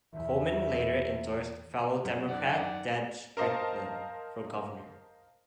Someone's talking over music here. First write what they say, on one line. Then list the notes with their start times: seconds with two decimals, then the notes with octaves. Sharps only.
Coleman later endorsed fellow Democrat Ted Strickland for governor.
0.13 E2 E5
2.05 F#2
2.28 D#3 D5 F#5
3.37 A#4 C5 D#5 F5 A5